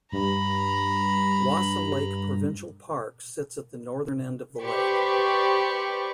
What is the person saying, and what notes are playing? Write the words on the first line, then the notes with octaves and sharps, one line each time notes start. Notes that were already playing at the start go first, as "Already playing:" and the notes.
Wasa Lake Provincial Park sits at the northern end of the lake.
G2 A#5 B5
G4 B4 C5 D5 C#6